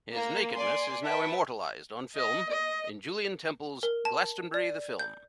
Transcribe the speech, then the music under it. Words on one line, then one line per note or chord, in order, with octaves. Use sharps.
His nakedness is now immortalized on film in Julien Temple's "Glastonbury The Film".
A#3 A#5
D5 G#5 C6
B4 E5 G5 A5
D#5
D#5
A#4
A5
D5
G6